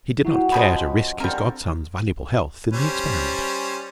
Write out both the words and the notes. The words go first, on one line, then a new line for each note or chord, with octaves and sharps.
He did not care to risk his godson's valuable health in the experiment.
F#3 E4 F#4 G4
C#3 F3 G#3 B5
D3 G3 C4 F4 A4 A#4
G3 C#4 C5